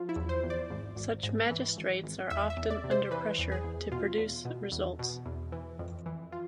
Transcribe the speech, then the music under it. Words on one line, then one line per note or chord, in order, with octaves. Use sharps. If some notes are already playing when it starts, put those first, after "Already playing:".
Such magistrates are often under pressure to produce results.
Already playing: F3 F4
E4
E2
C5
E2
D5
G#1
G#1
G#2
E3
G#1
G#1
E2 E5
E5
E2
D5
C3
C5
E3 B4
E2
G#4
E2
B2 F4
E2
B2
E2
B2
E2
E3
F2
E3
F4